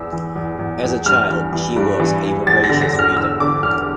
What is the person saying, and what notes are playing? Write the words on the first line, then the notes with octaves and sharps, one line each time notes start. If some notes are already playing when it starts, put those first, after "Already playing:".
As a child, she was a voracious reader.
Already playing: E2 E3 E6
E3
E2
E2
E2
G2 F6
E3
E3
G2
E3
G2
E2 A6
A#6
D3
A#6
E2
F6
E2 E6
D3 D6
E2 F6